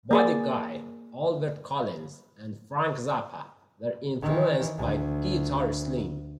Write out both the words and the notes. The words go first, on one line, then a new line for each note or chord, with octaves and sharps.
Buddy Guy, Albert Collins and Frank Zappa were influenced by Guitar Slim.
A#3 G#4 D5
D#3 E3
D2